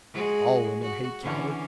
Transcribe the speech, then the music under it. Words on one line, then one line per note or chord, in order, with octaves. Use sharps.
All women hate cowards.
G#3 F#4 G#4
F#4
D3 E3 C#4